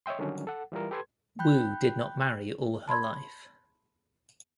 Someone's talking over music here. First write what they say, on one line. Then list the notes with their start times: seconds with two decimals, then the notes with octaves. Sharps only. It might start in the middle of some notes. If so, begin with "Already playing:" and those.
Wu did not marry all her life.
0.06 C#5 D#5 E5 G5 C6
0.19 D3 D#3 F#3 G3 C#4 D4
0.47 A4 F#5
0.72 E3 G3 F4 A#4
0.91 G4 A4 B4 C6 G#6
1.39 G5 B5 F#6 G6
2.88 A5 B5 C6 G#6